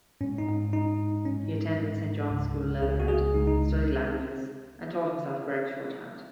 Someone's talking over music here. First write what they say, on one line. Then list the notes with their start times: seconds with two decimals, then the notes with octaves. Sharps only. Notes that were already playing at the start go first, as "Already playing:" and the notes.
He attended Saint John's School, Leatherhead, studied languages and taught himself Gregg Shorthand.
0.21 G#2 G#3 C#4
0.38 D#4
0.73 G#2 G#3 D#4
1.25 G#2 G#3 C#4
1.78 G#2 G#3
2.30 C#2 C#3 G#3
2.82 C#2 C#3 G#3 G#4
3.00 F#4
3.08 G#4
3.34 C#2 C#3 G#3 D#4
3.47 D#4